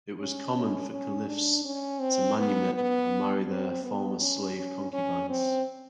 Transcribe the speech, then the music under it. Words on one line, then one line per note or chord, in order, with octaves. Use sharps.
It was common for Caliphs to manumit and marry their former slave concubines.
C#4
C#4
C#4
D4
C#4
C4
B3
B3
C4
B3
C#4
C#4
C#4
C4